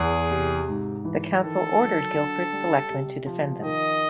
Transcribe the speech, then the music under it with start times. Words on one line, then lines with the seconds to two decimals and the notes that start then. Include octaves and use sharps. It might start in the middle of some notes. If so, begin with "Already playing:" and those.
The Council ordered Guilford's selectmen to defend them.
Already playing: E2 G#4
0.31 C3
0.68 G#2
1.05 E3
1.42 D#3 A4
1.79 F#3
2.15 D3
2.53 G3
2.90 C3
3.26 F3
3.63 D#3 D#5